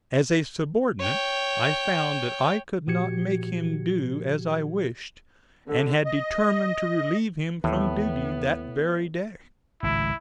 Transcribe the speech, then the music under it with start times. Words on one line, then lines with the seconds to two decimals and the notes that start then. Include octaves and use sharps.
As a subordinate I found that I could not make him do as I wished, and had determined to relieve him from duty that very day.
1.00 C#5 G5
2.87 A#2 F3 F#4 G4 G#6 C#7
5.69 D3
6.05 D#5
7.64 D#2 A2 E3 B3
9.83 G#1 C#2 A2 E4